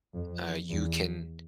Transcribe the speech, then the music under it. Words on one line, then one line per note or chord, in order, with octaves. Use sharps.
uh, you can,
F2
E2